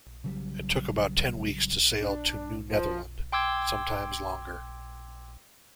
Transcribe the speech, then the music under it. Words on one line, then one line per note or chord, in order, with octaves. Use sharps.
It took about ten weeks to sail to New Netherland, sometimes longer.
C#3 F#3 G3
D4
F3
G5 C6 D6 E6 G#6